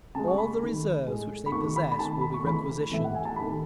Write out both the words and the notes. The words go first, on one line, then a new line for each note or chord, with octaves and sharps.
All the reserves which they possess will be requisitioned.
C#3 G#3 A5
C#6
B5
D#3 A3
A2 G#3
B5
D#3 A3 C#6
B5
B5
D#3 A3 A5
B5
C#6
C#3 E3 A3 B5
A2 E3 A3 E5
F#5
G#5
A5
A3 B5
D#3